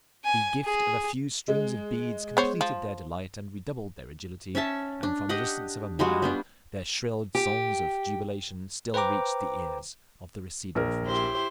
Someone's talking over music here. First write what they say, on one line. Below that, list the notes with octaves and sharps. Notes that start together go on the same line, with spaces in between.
The gift of a few strings of beads completed their delight and redoubled their agility; and, from the distance of a mile, their shrill songs of jubilation still reached the ears of the receding Frenchmen.
G#5
G#4
G#3
B3 C5 C#5
F3
C#4 C#5 E5 A5
D4
D4 G4 D#5 F#5
G3 G#3 F4 F#4
G3 B3 D4
G4
B4 C5 G5 A#5 D6
A#1 A#4
E4 G4 C5